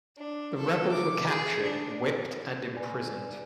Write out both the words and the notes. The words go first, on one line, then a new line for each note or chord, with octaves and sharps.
The rebels were captured, whipped, and imprisoned.
D4
A4
D6
G#4
D4
B4 D5 G#5